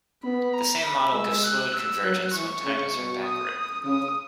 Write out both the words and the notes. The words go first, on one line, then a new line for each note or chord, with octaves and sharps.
The same model gives fluid convergence when time is run backward.
B3 B5
A#5
B5
G#3 E6
F#6
E6
F#3 F#6
E3 C#6
C#3
B2
D#6
C#3 D#6